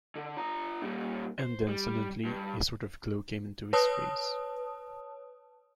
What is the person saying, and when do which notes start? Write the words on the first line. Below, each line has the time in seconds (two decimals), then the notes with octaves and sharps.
And then suddenly a sort of glow came into his face.
0.15 D3
0.37 D4 A#5
0.82 A#2 G3
1.40 C5
1.68 G3
2.25 G2
3.73 B4 C#5 A5 D#6